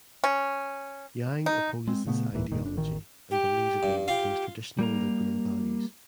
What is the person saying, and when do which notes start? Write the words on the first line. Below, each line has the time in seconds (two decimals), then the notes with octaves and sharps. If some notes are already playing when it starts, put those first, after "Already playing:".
Yang opposes this ideology and believes it may replace traditional liberal values.
0.24 C#4
1.46 D#4
1.87 G#3 C4
2.07 A#2 C#3 A3 B3
2.32 D1 E2 A#2 E3
2.52 F1 A#2 D#3
2.63 F#1 D4
2.77 A1 D#3
3.31 G4
3.83 G2
4.08 F4 G4 F5
4.79 G3 A#3 A#5